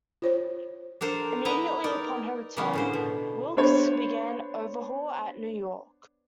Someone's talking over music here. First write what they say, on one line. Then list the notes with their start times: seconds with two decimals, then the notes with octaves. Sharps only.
Immediately upon her return, "Wilkes" began overhaul at New York.
0.22 F4 C5 C#5
1.01 D4 A4 A#4 C5
1.45 B3 E4 D#5 A#5
1.84 D#4 A#4 D5
2.57 C#3 E3 A#3 B3 C#4
2.73 A2 D3 C5
2.93 B2
3.57 B3 D4 C5 C#5